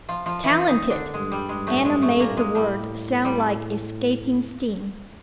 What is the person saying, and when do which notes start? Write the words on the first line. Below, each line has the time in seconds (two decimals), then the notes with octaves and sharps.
"Talented!" Anna made the word sound like escaping steam.
0.09 F3 F4
0.26 F3 F4
0.44 E3 E4
0.67 D#3 D#4
0.90 D3 D4
1.14 G2 G#3
1.32 G3
1.49 G#3
1.67 A2 A3
1.85 G2 G#3
2.02 A2 A3
2.19 G2 A#2 A#3
2.37 G#3
2.54 A2 G3
3.25 G3